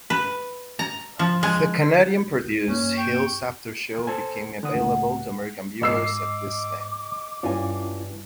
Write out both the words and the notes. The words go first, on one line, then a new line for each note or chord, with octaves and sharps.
The Canadian-produced "Hills Aftershow" became available to American viewers at this time.
B4
A#5
F3
G#3
G2 A#3 C#4
G5 C#6
A4 C5 G#5
D3 F#5 D#6
C#2 A2
G#2 D#5 D6 E6 C7
G2 C#4 E4 F4 G#5